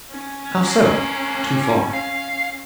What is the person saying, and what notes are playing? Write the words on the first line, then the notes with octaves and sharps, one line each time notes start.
"How so--too far?"
C#4
D4 A#4
F5